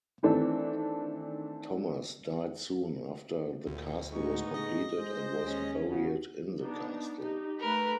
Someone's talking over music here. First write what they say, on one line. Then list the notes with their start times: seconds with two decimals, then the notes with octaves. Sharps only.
Thomas died soon after the castle was completed and was buried in the castle.
0.23 D#3 E3 A3 C4 D4
3.67 D2 A#2
4.12 A2 G#3 B3 D#4 C#6
4.54 G#4 D#5 A#6
4.98 G#3 C5 G6
5.42 D#2 C#4
5.90 C#3 F#4
6.61 B3 D4 D#4
7.21 D#4 G4
7.60 A3 A#4 B4 B5